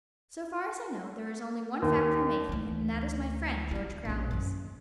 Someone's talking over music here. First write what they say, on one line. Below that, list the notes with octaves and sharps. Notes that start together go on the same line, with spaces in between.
So far as I know, there is only one factory making it and that is my friend, George Crowley's.
D#2
D2 E3
F#3 E4
A#1 C#4
F#2 D#3